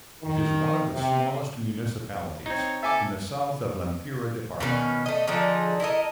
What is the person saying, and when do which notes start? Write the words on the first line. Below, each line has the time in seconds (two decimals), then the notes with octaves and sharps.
It is one of the smallest municipalities in the south of Lempira department.
0.23 D#3
0.93 C3
2.46 C4 D#4 C#5
2.83 A4 E5 G#5 D6
4.60 B2 D#3 A3 C#4
5.06 A3 D#5
5.27 D3 F3 D#4 G#4
5.80 E4 A4 A#4 D#5